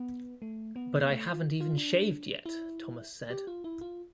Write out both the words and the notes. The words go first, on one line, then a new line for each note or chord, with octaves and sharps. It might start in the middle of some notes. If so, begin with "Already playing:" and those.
"But I haven't even shaved yet," Thomas said.
Already playing: B3
A3
B3
B3
A3
F4
F4
D4
E4
G4
F4
E4
F4